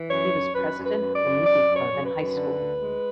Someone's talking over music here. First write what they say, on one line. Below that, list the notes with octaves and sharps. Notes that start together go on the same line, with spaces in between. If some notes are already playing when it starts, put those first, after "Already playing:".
He was president of the movie club in high school.
Already playing: E3
F#2 C#5
F#2
F#2 B4
F#2
B4
F#2
D5
F#2
F#2 D5
F#2
C#5
F#2
B4
F#2
D3
D2
G#3